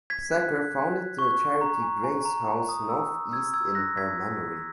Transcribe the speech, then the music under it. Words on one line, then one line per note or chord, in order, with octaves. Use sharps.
Secker founded the charity Grace House North East in her memory.
G#6 B6
F#6
C#6
A#5
G#5
G#5
A#5
G#5
D#6
E6
E6 G#6
E6 G#6
F#6 A#6
G#6 B6